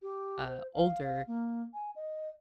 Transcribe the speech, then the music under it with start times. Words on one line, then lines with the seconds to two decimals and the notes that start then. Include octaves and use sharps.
uh, older,
0.02 G4
0.47 C5
0.73 F5
1.03 F5
1.27 A#3
1.73 G#5
1.95 D#5